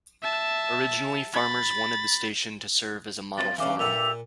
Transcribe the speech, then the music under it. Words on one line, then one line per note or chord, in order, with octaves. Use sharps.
Originally, farmers wanted the station to serve as a model farm.
E5 A5
B5 A6
F#3 C4 F4 A6
G2 C#3 E3 D5 F5
A#2 G4 A4 E5 F#5 F7